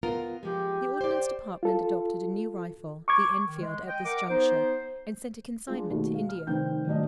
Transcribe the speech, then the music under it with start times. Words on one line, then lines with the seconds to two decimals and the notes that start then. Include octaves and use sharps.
The Ordnance Department adopted a new rifle, the Enfield, at this juncture, and sent a consignment to India.
0.03 B3 F4 A#4
0.43 F3 G#3 G4
1.01 C5 D5
1.63 F4 A4
3.08 C#6 D6 G#6
3.46 D#3
3.61 G#3
3.88 D#5 G5
4.05 A#4 F#5 D6
4.30 B3 D#4 C5
5.67 G#3 D4 F4 G#4
5.90 D#2 B2 A3
6.15 F5
6.29 F6
6.47 F1 D#3 C4 B4 G5 G6
6.86 D#1 A2 F#3 D4 D5 D#5